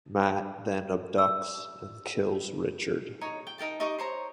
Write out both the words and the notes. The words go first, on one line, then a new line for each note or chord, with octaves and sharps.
Matt then abducts and kills Richard.
E6
D#4 C#5 A#5
G5
D#4 A#4 G5 A5
D#4 G4 D#5 C#6
C5 C#5 A#5